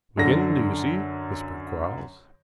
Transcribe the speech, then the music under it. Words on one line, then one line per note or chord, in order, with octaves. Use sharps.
"Wigan, do you see?" whispered Quarles.
F#2 D3 A#6